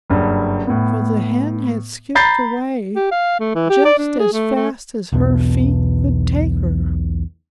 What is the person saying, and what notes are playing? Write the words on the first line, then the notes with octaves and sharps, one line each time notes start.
For the Hen had skipped away just as fast as her feet would take her.
F#1 G2
A2 B3
A#5 B5 G6 A6 C7
G4
F5
A3
E3
G4
D5
D4
G#4
A3
A3
B1 E2 B2